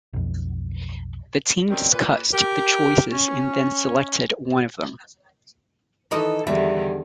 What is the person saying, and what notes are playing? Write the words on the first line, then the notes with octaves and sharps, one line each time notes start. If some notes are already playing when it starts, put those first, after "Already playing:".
The team discussed the choices and then selected one of them.
B1 F2
B2 D#3 G3 C4 C#4
A#2 B4
G4 A#4
C#4
D#3 E3 A4 D#5
E2 D3 D#3 G3 E5